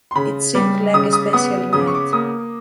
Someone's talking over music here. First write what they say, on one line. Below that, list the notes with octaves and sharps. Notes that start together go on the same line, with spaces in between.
It seemed like a special night.
C6
C#3 B5
G3 D6
C#3 D#6
D#6
B3 D#6
C#3 D#6
D6
C#6
D6
A#3 D#6